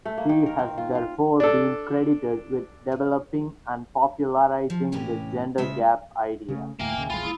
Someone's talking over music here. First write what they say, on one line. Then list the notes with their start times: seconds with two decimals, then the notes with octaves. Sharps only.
She has therefore been credited with developing and popularizing the gender gap idea.
0.06 A3
0.18 A#3
0.29 D#3
0.46 A#4
0.59 C4
0.78 F4
0.95 F4
1.40 D4 A4
4.70 F3
4.92 A2 C3 E3 C#4 G4
5.58 A#2 C#3 G#3 E5
6.49 C#3 G#3 A3
6.79 E1 D2 A2 A#3 E5 F5 G5 G#5
6.97 D#2 A#2 C#3
7.10 A#1 E2 G#3 F4 B5
7.23 A#3 E4 D#6